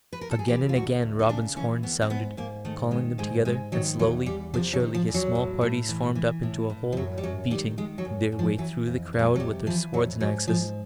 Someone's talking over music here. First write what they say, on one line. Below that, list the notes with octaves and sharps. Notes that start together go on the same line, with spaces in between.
Again and again Robin's horn sounded, calling them together, and slowly but surely his small parties formed up into a whole, beating their way through the crowd with their swords and axes.
B4
A#4
A4
G#4
E3 G4
F4
D2 F#4
D2
D#4
C#3 D4
E3 C#4
D2 B3
C4
G#2 B3
G#2 A#3
D#3 A3
D#3 G#3
G#2 G#3
G#2 G#3
D#3 F#3
E2 F#3
E2 G3
C3 F3
F#3
D#3
F3
E2
F#3
A2
A2
E3
E3
A2
A2
F3
F#2 F#3
G3
F#2 F#3
D#3 G3
D#3 G#3
F#3
F#2
F#2
F3
E3 F#3
F2
F2
G#3
F#3
C3 G3
E3 F3
F2 F#3
G#2 F#3
G#2 F3